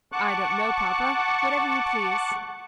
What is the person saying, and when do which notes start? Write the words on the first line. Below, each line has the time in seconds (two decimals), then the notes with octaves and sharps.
"I don't know, papa; whatever you please."
0.12 F#5 A5 C#6 D6 F#6